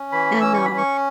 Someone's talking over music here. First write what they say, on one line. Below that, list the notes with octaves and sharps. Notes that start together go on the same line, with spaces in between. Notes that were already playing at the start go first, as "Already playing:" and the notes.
and, um,
Already playing: C#4
E3 B5
C#4 E6
C#6
B5
C#4
C#6